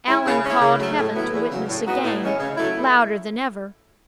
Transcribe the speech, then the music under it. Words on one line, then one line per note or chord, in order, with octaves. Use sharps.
Allan called Heaven to witness again, louder than ever.
G#3 C#4 E4
C#3
G#3 C#4 E4
C#3
F#3 A3
A2
F#3 B3 E4
E2
C#3 F#3
A2
G#3 B3 D#4 F#4
A2
E3 G#3 C#4
C#3
F#3 A3 E4